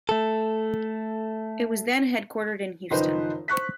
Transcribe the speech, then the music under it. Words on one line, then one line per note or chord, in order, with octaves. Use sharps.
It was then headquartered in Houston.
A3 A4
F#1 D#3 F3 D#4 B4 C5
C5 C#6 F#6 B6